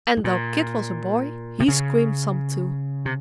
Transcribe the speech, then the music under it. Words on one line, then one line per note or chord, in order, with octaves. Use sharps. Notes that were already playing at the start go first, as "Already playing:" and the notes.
And, though Kit was a boy, he screamed some too.
G#2
A#2
C3
C#3
C3